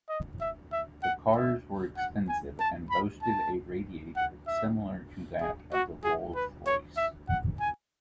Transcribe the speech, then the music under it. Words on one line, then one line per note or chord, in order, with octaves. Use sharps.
The cars were expensive and boasted a radiator similar to that of the Rolls-Royce.
D#5
E5
E5
F#5
E5
F#5
G#5
A5
B5
A5
F#5
E5
G#4
F#4
G#4
B4
C#5
E5
F#5
G#5